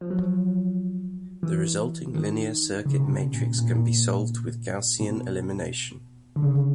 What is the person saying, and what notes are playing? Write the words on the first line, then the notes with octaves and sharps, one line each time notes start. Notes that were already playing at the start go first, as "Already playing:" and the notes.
The resulting linear circuit matrix can be solved with Gaussian elimination.
F3
F#3
F3
E3
D#3
C#3
C3
B2
A#2
A#2
A#2
B2
D3
C#3